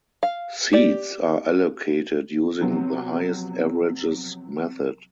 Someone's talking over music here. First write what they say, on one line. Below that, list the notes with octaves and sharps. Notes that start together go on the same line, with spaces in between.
Seats are allocated using the highest averages method.
F5
G4 D5
C3 F3 F#3 B3 C4